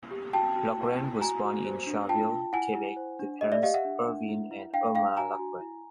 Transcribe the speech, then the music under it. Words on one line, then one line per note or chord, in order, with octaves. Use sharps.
Laughren was born in Shawville, Quebec to parents Irvin and Erma Laughren.
G4
F#4 G5 A5
F#4
E4
E4
F#4 G#5 A#5
F#4
C5
D4
F4 G5 A5
F4
E4 F#5 G#5
E4
C5
D4
G4 D#5
D5 E5
G4 D#5 F5
E5 F#5
D4
D4
E4
E4
D4 F5 G5
D4 F5 G5
F#4 G#5 A#5
F#4
E4